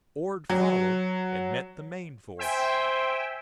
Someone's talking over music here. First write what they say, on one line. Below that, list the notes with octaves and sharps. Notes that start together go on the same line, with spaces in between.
Ord followed and met the main force.
F#3
C5 E5 G5 G#5